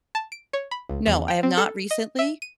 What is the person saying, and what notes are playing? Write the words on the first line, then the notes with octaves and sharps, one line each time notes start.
No, I have not recently.
A5
D7
C#5
B5
C#2
E2
G5
C4
A4
D#5
E5
D#7